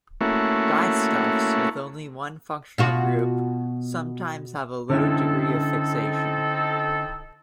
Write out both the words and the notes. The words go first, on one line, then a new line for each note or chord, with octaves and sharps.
Dyestuffs with only one functional group sometimes have a low degree of fixation.
A3 A#3 C#4 E4 F#4
B2 F4 F#4
D3 C4 C#4 D#4 E4 A4